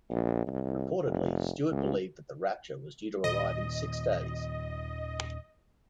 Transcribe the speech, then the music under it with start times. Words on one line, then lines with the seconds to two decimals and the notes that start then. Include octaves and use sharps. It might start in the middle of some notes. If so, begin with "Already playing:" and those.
Reportedly, Stewart believed that the Rapture was due to arrive in six days.
0.10 A#1
0.47 C2
1.05 F1
1.71 C#2
3.24 D#2 A#2 D#3 D#5